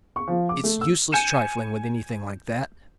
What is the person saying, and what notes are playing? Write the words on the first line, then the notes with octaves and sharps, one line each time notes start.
It's useless trifling with anything like that.
C#6
F3
D6
A3
E6
G#5 G6 C#7 D#7 E7